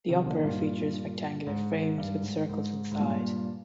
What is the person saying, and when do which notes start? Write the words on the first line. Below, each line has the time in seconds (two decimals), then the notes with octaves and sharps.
The upper features rectangular frames with circles inside.
0.09 C3 D#3
0.26 A#2 D3
0.44 G2 A#2
1.47 G#2
1.98 G2
2.23 G#2
2.49 G#2
2.92 G#2
3.00 G2 A#2